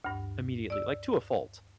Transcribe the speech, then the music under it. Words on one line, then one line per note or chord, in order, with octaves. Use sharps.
immediately- like, to a fault,
D2 G2
D5 E6